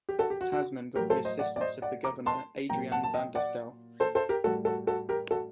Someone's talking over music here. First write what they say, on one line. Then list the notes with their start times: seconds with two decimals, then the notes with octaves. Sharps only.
Tasman got the assistance of the governor Adriaan van der Stel.
0.09 G4
0.19 F#4 A4
0.30 G4
0.41 F#4
0.52 F#4
0.95 A2 G4 A#4
0.99 F#3
1.10 A4 C5
1.25 C5 D#5
1.39 D5 F#5
1.56 D5
1.61 C5 D#5
1.82 D5 F#5
2.04 A#5 D6
2.26 A5 C6
2.69 A#2 F#3 G5 A#5
2.92 F#5 A5
3.03 A5
3.14 D#5 G5
3.35 D5 F#5
4.00 A4 C5
4.15 A4 C5
4.29 G4 A#4
4.44 A2 G3 F#4 A4
4.65 F#4 A4
4.87 F#4 A4
5.09 G4 A#4
5.31 F#4 A4